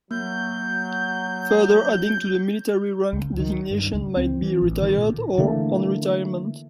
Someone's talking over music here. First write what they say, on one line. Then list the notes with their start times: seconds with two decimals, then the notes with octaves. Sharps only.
Further adding to the military rank designation might be "retired" or "on retirement".
0.11 F#3 A#3 G6
3.13 C#2
3.39 D#3
3.71 G2
3.94 C#2
4.17 C4
4.42 E3
4.62 A1
4.82 D#3
4.98 A#2
5.38 D3 E3 A3 A#3